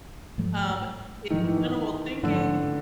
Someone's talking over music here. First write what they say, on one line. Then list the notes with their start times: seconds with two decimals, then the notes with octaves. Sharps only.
um, in general thinking,
0.38 G#2 F3 A3
1.30 G#2 D#3 F3 A3
1.44 E3
1.57 D#3
2.23 G#2 D3 F3 A3